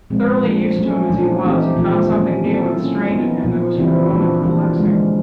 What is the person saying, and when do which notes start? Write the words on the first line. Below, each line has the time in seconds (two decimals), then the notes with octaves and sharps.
Thoroughly used to him as he was, he found something new and strained in him that was for the moment perplexing.
0.10 A#2 F3 G#3 C4
0.44 F3 A#3 D4
0.76 F#3 A3 C#4
1.10 A#2 F3 A3 D4
1.43 E3 A3 C4 D#4 G4
1.76 A#2 F3 A3
2.10 D#3 F#3 A#3 C#4
2.43 A3 C4 E4 A4
2.77 F#3 A#3 C#4 F4
3.10 F#3 B3 D#4
3.43 A#2 F3 A#3
3.76 C#3 E3 G3 C4 E4
4.09 A#2 F3 A#3 D4 F#4
4.43 E3 G3 A#3 D4 F4
4.76 D3 F3 G#3